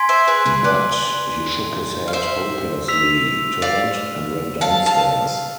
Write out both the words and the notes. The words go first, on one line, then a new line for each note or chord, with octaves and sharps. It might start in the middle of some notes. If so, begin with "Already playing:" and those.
"But — " He shook his head hopelessly, turned, and went downstairs.
Already playing: G#5 C6 G#6 B6 D7
C5 E5
G#4 B4
G#4 B4
B4 D5
F5
C5 E5
E6 B6 F7
D5 F5
F5 A5
F5 A5